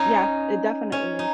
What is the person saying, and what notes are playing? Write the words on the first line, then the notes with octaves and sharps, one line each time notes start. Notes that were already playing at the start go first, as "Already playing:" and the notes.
Yeah. It definitely is.
Already playing: C#4 D#4
C#4
D#4